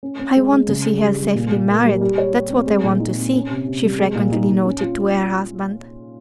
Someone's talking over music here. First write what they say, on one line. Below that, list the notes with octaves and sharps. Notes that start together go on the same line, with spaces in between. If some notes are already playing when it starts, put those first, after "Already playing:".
"I want to see her safely married--that's what I want to see," she frequently noted to her husband.
C#4
C#4
G#3
G#3
C#3
G#4
G3
G3
A#2
A#2
A#3
G3
G3
C#5
G4
C4
G#3
A#2
D#4
C4
C#4
C3
C3
G3
G#3
A#2
D#4
A#2
C#4
F4